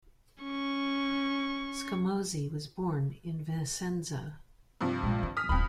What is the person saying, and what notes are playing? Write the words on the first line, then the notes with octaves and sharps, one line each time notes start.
Scamozzi was born in Vicenza.
C#4 C#6
G2 C3 F3
A#1 G#3
D3
D#6 F6 B6
D1 F2 E4 B5